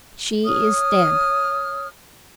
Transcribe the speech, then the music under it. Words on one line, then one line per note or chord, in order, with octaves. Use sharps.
She is dead.
C#5 D#6 F6